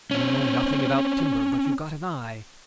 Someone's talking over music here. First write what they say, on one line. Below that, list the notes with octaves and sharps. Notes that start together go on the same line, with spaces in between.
You know nothing about timber, but you've got an eye.
C4 C#4